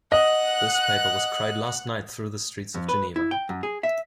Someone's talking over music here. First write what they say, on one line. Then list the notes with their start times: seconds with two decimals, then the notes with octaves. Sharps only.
This paper was cried last night through the streets of Geneva.
0.12 D#5 F#5 F#6
2.74 F2
2.89 B4
3.16 E4
3.31 G5
3.49 F#2
3.63 G#4
3.83 E5